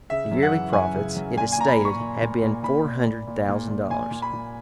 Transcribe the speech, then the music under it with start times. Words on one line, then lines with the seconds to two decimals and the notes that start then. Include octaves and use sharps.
The yearly profits, it is stated, have been four hundred thousand dollars.
0.10 C#3 E5
0.31 F#2
0.42 F#5
0.53 E3
0.73 F#2 G#5
0.94 C#3
1.16 F#2
1.37 A#2 G#5
1.52 G#5
1.57 A#2 A#5
1.68 B5
1.79 A#2
1.85 C#6
2.00 A#2
2.22 A#2
2.42 A#2
2.63 A#2 B5
2.84 A#2
3.06 A#2
3.27 A#2
3.48 A#2
3.68 A#2
3.90 A#2 G#5
4.11 A#2
4.22 B5
4.32 A#2